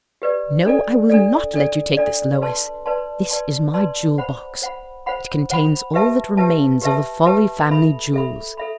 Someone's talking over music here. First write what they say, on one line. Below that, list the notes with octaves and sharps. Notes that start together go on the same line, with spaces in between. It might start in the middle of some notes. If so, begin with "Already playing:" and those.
No, I will not let you take this, Lois; this is my jewel-box--it contains all that remains of the Fawley family jewels.
G4 B4 D5
D4 A4 D5
D4 A4 D5
D4 A4 D5
D4 A4 D5
B4 D5 A5 C6
B4 D5 A5 C6
B4 D5 A5 C6
B4 D5 A5 C6
C5 F#5 B5
C5 F#5 B5
C5 F#5 B5
C5 F#5 B5
G4 B4 E5 A5
G4 B4 E5 A5
G4 B4 E5 A5
G4 B4 E5 A5
A4 E5 B5
A4 E5 B5
A4 E5 B5